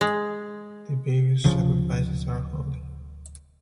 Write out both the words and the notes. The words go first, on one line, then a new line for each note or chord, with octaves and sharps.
The various sacrifices are holy.
G#3
D1 C#3 F3